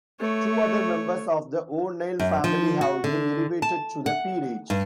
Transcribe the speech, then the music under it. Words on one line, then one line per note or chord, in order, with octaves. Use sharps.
Two other members of the O'Neill family have been elevated to the peerage.
A3 C#5
F#2
F3
F#4
D3
A5
F#5
G2